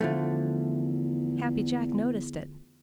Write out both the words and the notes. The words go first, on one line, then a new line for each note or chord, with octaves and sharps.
Happy Jack noticed it.
E2 D3 F3 A3